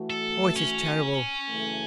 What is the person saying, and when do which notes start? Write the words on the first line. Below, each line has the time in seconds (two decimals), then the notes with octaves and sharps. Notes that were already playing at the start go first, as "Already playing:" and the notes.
Oh, it is terrible!
Already playing: E3 A3 F#4
0.10 A4
0.56 C#4
1.49 F#2 C#3 E3 A3